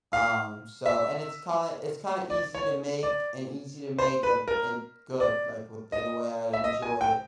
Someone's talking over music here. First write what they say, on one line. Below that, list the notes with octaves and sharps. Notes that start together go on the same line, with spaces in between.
Um, so, and it's kinda it's kinda easy to make and easy to make, like, and good, like, within in a way I'd enjoy it.
F5
E5
D5
C#5
D5
C5
B4
A#4
D5
D#5
E5
D#5
G#5
G5